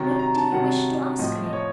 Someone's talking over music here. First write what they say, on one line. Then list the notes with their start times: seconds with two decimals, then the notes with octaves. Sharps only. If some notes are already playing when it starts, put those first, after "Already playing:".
"What do you wish to ask me?"
Already playing: C3 D#3 F#3 A#5
0.19 A#5
0.35 A5
0.51 C3 D#3 F#3 F#5
1.19 A2 F3 D#5
1.46 D#5
1.53 C#5